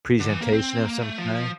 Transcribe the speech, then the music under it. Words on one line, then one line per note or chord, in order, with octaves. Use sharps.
Presentation of some kind?
D3
E3
A#3
C4
A#3
A3
F3